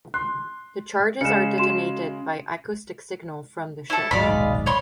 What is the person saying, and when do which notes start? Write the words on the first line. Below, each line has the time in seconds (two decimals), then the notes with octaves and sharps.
The charges are detonated by acoustic signal from the ship.
0.14 C6 F#6
1.21 C#3 G#3 C#7 E7
1.58 F#4 C6 E7
3.90 E4 A4
4.11 D#1 G#2 F#3 G#3 F4 D5 B5
4.28 D#1 B1 G#2
4.66 C#5 B5 C6